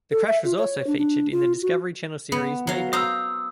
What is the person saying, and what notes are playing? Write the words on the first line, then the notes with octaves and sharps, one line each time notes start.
The crash was also featured in the Discovery Channel series Mayday.
A4
E5
F4
C#5
D4
D4
F4
F#4
B3
F#3 F5
C5 F5 A#5 D#6 E6